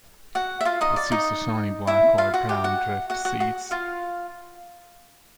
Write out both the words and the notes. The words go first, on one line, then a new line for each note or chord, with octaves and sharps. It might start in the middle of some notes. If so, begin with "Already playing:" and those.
The seeds are shiny black or brown drift seeds.
F#4 F#5
E5
F4 F5
D#4 D#5
D5
D#4 D#5
E4 E5
F4 F5
F#4 F#5
G4 G5
F#4 F#5
F#4 F#5
F#4 F#5
F#4 F#5
F4 F5